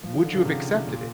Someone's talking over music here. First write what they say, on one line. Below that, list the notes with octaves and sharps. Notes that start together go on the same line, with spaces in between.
would you have accepted it?
F3
D#3
D3
C#3
C3
A#2